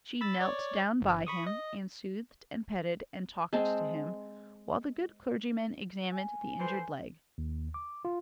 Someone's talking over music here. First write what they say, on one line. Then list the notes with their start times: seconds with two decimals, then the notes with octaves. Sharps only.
She knelt down by him, and soothed and petted and talked to him, while the good clergyman examined the injured leg.
0.21 B5 E6 A6
0.41 C#5 D5
1.01 G1
1.27 B5 C#6 D#6
1.47 D#5
3.53 G#3 C4 A5
6.12 G#5
6.60 E3 A4 C5
7.38 D#2
7.74 D6
8.05 F4